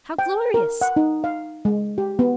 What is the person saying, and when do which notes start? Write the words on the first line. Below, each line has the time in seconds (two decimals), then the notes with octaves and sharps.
How glorious!
0.19 G5
0.54 A#4
0.81 F#5
0.96 D#4
1.24 F5
1.65 G#3
1.98 G4
2.19 B3